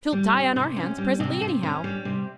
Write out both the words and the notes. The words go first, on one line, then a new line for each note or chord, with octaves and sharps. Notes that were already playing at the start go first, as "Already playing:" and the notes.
"She'll die on our hands presently, anyhow."
G3
C3
C3
C#4
G3
C3
C3
C#4
G3
C3